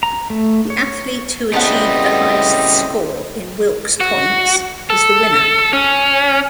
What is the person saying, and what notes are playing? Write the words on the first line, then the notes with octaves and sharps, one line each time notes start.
The athlete who achieved the highest score in Wilks points is the winner.
A#5
A3
C#5
A2 C#3 G3 B3 C4 D#5 A5
F#4
A4
C#4